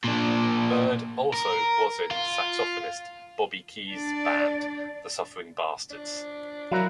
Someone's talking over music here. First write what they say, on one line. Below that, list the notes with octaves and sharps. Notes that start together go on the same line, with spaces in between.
Baird also was in saxophonist Bobby Keys' band The Suffering Bastards.
A#2 D4
A#4
F4
D4 D5
D4
F#3 E4 F#4 A#4 F5 A#5